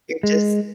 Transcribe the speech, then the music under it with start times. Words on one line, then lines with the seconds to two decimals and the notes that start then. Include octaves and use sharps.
you're just
0.23 G#3